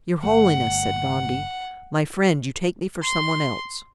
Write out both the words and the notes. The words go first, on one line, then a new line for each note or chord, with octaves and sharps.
"Your holiness!" said Gondy; "my friend, you take me for some one else."
G1 A3 F#5
C6